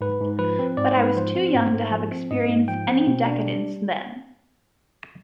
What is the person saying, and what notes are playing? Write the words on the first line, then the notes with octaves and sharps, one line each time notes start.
But I was too young to have experienced any decadence, then.
G#2 B4
G#2
F3 B4
C4
G#2 D5
C5
G#2
B4
F3 C5
C4
G#2
G#2
F3
C4
G#2 D#5
G#2
F3 G5
C4
B2
D4
G3